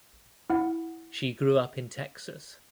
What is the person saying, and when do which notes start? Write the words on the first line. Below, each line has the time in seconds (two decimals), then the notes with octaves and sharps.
She grew up in Texas.
0.50 E4 F#5